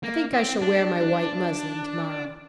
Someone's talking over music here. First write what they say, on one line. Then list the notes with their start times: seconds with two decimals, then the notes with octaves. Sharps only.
I think I shall wear my white muslin tomorrow.
0.03 A#3
0.33 C4
0.62 D4